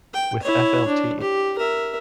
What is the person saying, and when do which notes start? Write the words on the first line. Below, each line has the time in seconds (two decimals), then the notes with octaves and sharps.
With Flt.
0.14 G5
0.42 E4 C#5
0.87 D4
1.20 G4
1.58 A#4 E5